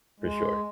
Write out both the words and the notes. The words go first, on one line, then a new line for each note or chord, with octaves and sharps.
For sure.
G#3